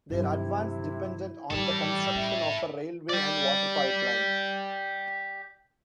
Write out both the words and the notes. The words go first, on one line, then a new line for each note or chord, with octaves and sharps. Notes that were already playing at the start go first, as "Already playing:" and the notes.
Their advance depended on the construction of a railway and water pipeline.
G2 C3 F#3 E4
G#2 E3 G3 E4 A4
C#4 E5
G4 D5